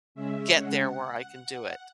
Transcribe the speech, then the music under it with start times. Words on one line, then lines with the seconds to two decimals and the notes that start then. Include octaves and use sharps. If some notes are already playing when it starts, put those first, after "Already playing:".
get there where I can do it.
0.15 C#3 G#3 C#4 E5
0.57 F#5
1.42 F#5